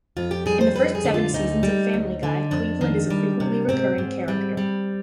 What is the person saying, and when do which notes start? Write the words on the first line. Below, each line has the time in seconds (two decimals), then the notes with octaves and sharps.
In the first seven seasons of "Family Guy", Cleveland is a frequently recurring character.
0.17 F2 F4
0.31 G4
0.46 G3 G#4
0.61 C5
0.76 F2 B4
0.95 G#4
1.05 D3
1.14 F4
1.34 D2 D#4
1.63 G3
1.94 D2
2.23 D3
2.51 F2 D4
2.81 D#3
3.10 G3
3.40 C3
3.69 G#2 C4
3.98 G#2
4.28 G3
4.57 G3